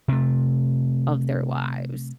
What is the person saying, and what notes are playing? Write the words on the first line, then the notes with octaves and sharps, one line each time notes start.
of their lives.
C3 A3